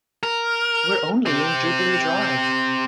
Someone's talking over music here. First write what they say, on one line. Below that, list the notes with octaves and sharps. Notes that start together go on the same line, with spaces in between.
We're only in Jubilee Drive.
A#4
C4 G4